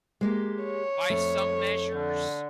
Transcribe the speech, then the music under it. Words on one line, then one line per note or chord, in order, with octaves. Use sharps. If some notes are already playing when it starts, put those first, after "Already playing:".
by some measures,
G#3 A#3 G4
C#5
F2 A3
D3